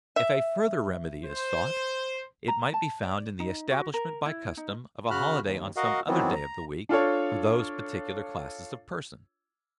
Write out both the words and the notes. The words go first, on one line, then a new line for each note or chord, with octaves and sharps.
If a further remedy is sought, it might be found in the establishment by custom of a holiday on some other day of the week for those particular classes of persons.
E5
C5
A#5
A5
D5
D#4
F#4
A#4
E4
D#4
C#3 F#4 B5 F6 F#6
D#2
F#4 A#4 D#5 F5 F#5
D#3 E3 F#3 B3 C4
A#5
D4 F4 A4 C#5